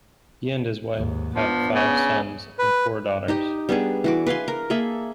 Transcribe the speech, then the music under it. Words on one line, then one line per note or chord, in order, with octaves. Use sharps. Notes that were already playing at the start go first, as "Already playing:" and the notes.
He and his wife have five sons and four daughters.
D#2 G#2
F3 B3 D4
C#3
B4
D#4 G4 D#5
G3 B3 D4 G#4
E3 F#4 D6
B4 F5 G#5 C6
A#4
A#3 G#4 A4 E5